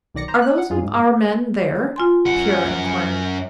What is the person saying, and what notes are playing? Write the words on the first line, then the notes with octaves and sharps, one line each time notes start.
"Are those our men there?" Pierre inquired.
B1 D#3 D5 A#6 C#7
C5 A#5
F#6
F#5
F#2 F4 G#4
G#2
F4 G#5 C6
F#2 F#5